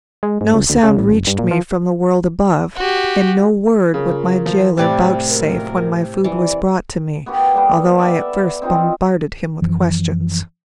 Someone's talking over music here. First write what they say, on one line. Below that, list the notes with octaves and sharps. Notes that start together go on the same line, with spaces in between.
No sound reached me from the world above and no word would my jailer vouchsafe when my food was brought to me, although I at first bombarded him with questions.
G#3
G#2
C#2
D2
C#3
A1
F#1
G2
A#2
F3
F#4 G4
C#3 F4 A#4
F3
A2 C3 G3 D5
A#2 F#3 A#4
E3 D5
B3 F#4 G4 A#4
G3 A#3 B3 A4
B4 D5 E5 F#5
C4 D#4 F4 D#5
F#2 E3 F3